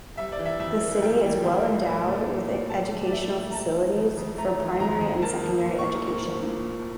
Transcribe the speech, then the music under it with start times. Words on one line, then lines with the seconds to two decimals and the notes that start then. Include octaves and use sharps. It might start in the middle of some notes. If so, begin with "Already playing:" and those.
The city is well endowed with educational facilities, for primary and secondary education.
0.17 G3 E5
0.32 D5
0.39 E3
0.45 E5
0.60 F2 E5
0.81 A#3
1.02 G3 G5
1.23 E3
1.44 F2
1.66 A#3
1.87 A#2
2.07 A3
2.29 A#2
2.49 A3
2.70 A#2 A5
2.92 A3
3.06 D5
3.12 A#2 E5
3.33 A3
3.51 A#5
3.54 A3 A5
3.76 E3
3.97 F2
4.17 F2
4.38 A3 A#5
4.60 E3
4.80 F2 A#5
5.01 F2
5.22 A#3 A5
5.43 F3
5.65 A#2
5.79 C#6
5.86 A#2
6.06 A#3 C#6
6.28 F3
6.48 A#2
6.70 A#2